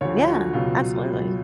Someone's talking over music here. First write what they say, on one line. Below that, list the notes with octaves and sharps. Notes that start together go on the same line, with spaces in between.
Yeah, absolutely.
D2 D3 F3 C#5
F4
F#4
C#2 B2 F#3 F4